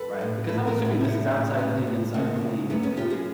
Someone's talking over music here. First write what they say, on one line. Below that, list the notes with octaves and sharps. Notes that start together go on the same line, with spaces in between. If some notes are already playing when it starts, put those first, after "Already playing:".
right? Because I'm assuming this is outside clean, inside clean
Already playing: F2 A4 B4
A2
A2 A4 B4
G#4 A#4
A2
D4 E4
E4
F#3 C#4 D#4
A2
A2 B3 C#4
A2
C#3 A#3 C4
F#2
F#2 A3 B3
B3 C#4
F#2 F4 G4
F#4 G#4